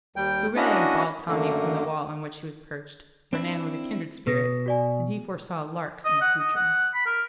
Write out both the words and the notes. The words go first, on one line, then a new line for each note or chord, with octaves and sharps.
"Hooray!" bawled Tommy from the wall on which he was perched, for Nan was a kindred spirit, and he foresaw "larks" in the future.
D#2 G3 G5
A#3 C#4 D4 E4 F#4 D#5
F#2 D3 A3 A#3
C4 D4 E4
B2 B4 D#6 A#6
F#4 D5 G#5
D#5
F#5
D#5
F#5
B5
A#4